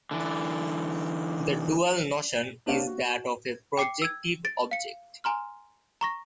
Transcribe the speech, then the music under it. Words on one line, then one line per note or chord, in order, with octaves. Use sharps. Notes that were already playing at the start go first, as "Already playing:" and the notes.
The dual notion is that of a projective object.
D3 E3
A#3 D4 G4 C5 C#5 F5
F#4
G5 D6 C7 C#7
E6 G#6
A6 D7
F5 C#7
G#5 A#5 C6 F6
A#5 C#6 A#6